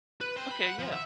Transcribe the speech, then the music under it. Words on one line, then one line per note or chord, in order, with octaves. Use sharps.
Okay, yeah.
B4
C4
B5
F#5
F3
E5